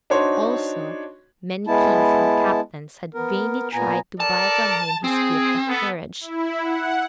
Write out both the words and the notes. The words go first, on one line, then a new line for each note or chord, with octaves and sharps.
Also, many kings and captains had vainly tried to buy from him his gift of courage.
D4 D#4 F#4 C5 C#5 C6
G#3 B3 E4 A5
B3 A#4
A#2 B3 G#5 A#5
A4 A#4 D5 A5
C4 G#4
B3 A4
E4
F#5